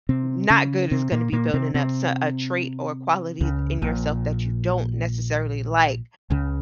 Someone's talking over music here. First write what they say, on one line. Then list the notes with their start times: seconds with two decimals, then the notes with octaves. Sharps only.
n not good is gonna be building up s a trait or a quality d in yourself that you don't necessarily like,
0.09 C3 C4
0.50 C#3 C#4
0.91 C3 C4
1.12 A#2 A#3
1.33 A#2 A#3
1.54 C3 C4
1.75 C3 C4
3.41 C#2 C#3
3.82 A#1 A#2
6.30 C#2 C#3